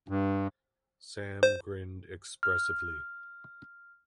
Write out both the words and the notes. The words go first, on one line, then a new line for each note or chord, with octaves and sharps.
Sam grinned expressively.
G2
C5
F6